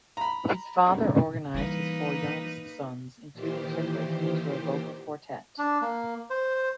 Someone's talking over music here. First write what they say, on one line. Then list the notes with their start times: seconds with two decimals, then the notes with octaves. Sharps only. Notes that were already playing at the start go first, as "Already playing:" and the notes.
His father organized his four youngest sons, including Clifford, into a vocal quartet.
0.17 A#5 B5
1.54 E3 G3 A#3 D#4 B4
3.33 A#2 D#3 E3 G4 C5
5.59 D4
5.82 A#3
6.30 C5